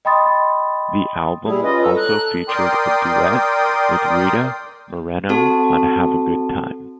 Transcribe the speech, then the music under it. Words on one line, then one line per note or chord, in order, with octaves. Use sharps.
The album also featured a duet with Rita Moreno on Have A Good Time.
D#5 G5 B5 C6 D#6 A6
G3 E4 G#4
C#4 F4 B4 D#5
A4 A#5 E6
F#6
A#4 D5 G5 C6 D#6
C4 F#4 A4 A5